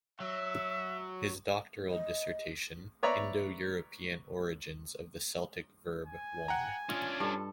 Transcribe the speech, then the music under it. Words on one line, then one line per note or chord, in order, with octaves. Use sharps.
His doctoral dissertation, "Indo-European Origins of the Celtic Verb I".
F#3 E5
D#5
B4 C#5 D5 E5 A#5
G#5
F#5 G5 A#5
C#4 D4 F4 D#5
G2 A4